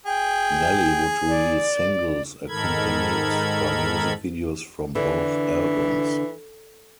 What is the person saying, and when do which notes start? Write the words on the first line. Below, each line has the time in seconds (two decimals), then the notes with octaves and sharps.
Nelly would release singles accompanied by music videos from both albums.
0.06 G#4 G5
1.29 D5
2.49 G#2 D#3 A4 A#4 B5 G#6
4.95 D3 E3